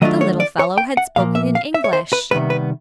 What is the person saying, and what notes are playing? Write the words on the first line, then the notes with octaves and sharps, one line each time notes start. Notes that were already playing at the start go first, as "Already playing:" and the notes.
The little fellow had spoken in English.
D#3 F#3 A3 D4 F4 D#5
C#5
D5
C#5
G5
F#5
A#2 F3 A#3 F5
E5
F5
E5
C#5
C5
B4
C3 D#3 G3 B3 B4
B4